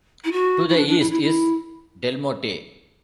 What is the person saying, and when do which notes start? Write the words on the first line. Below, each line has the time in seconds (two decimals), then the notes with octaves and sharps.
To the east is Delmotte.
0.24 E4
0.32 F#4
0.69 E4
0.77 D4
0.88 D4
1.00 E4
1.11 E4
1.22 E4